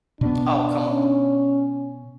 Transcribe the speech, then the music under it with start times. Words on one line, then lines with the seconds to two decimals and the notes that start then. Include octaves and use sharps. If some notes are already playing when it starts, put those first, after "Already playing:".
Oh, come on.
0.21 B2 B3 D4
0.90 C#4